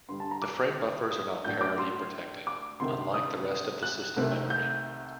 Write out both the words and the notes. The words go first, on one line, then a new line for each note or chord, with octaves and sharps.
The frame buffers are not parity-protected, unlike the rest of the system memory.
G2 D3 G3 C6
A5
A#5
D6
D#6
A2 F#3 A3 D4 G6
D6
C6
D6
D2 C3 D#3 C6
D#6
F#6
C2 C3 D#3 A3 C4
G6